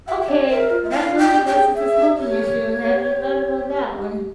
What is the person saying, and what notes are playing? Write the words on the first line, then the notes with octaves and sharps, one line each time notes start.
"Okay, that really addresses the smoking issue. Have you thought about that one?"
G4 E5
E5
C#5
A#4 E5
F4
E5
E4 F5
F4
G5
G4
G4 G5
G#4
G#4 E5
G4
C#5
G4